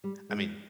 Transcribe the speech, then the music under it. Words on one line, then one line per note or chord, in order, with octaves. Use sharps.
I mean,
G3
G#3